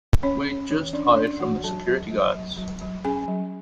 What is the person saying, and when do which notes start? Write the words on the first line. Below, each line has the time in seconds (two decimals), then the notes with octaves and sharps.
We'd just hide from the security guards.
0.23 C#4 C#5
0.47 C#4
0.71 E3
0.93 C#4 D4 D5
1.16 C#4 D4 D5
1.40 E3 F#4 F#5
1.64 F#3 A4 A5
1.87 F#3
2.11 F#3
2.35 F#3
2.58 F#3
2.81 F#3
3.04 C#4 G#4 G#5
3.28 F#3